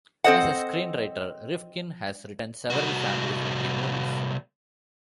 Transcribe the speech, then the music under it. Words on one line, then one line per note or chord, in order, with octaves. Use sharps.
As a screenwriter, Rifkin has written several family-friendly movies.
C4 A4 C5 D#5 F#5
C2 F#4